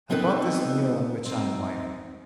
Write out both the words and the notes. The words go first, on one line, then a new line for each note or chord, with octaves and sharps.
'I bought this mule on which I am riding.'
G#3 B3 C4 D#4 A4 B4
C4 D#4